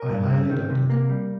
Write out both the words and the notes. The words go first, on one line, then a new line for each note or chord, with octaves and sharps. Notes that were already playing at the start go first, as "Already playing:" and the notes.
I highly doubt it.
Already playing: A#4
G2
C4
D#3
C3
A#3
G3